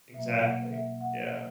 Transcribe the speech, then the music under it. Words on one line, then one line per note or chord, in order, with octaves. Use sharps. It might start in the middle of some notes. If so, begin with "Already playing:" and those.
Exactly. Yeah.
B2 F#3 A#3 E5
F#5
E5
F#5